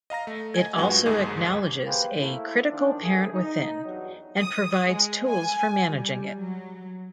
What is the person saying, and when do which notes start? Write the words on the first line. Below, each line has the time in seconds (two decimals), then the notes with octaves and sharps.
It also acknowledges a Critical Parent Within and provides tools for managing it.
0.10 D#5 F5 A#5 A#6
0.27 A3
0.54 D#5 G#5 G#6
0.77 G2 F#3 G#3 B3 F4 F#4
1.06 G1 D#2 G#2 G#4 D#5 G#6
1.85 A#3 G4 G#4 B4 C5
2.20 A3 A#3 E4
2.69 D#3 F3 D4
3.02 G2 A3 A#3 G#4
3.32 D#4
3.84 E2 G2 F#3
4.41 D#6
4.88 G#3
5.29 G#5
5.85 G3
6.37 F#3